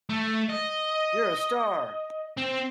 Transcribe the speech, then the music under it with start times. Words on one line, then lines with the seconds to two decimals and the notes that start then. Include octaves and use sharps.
You're a Star!.
0.09 A3
0.49 D#5
2.38 C4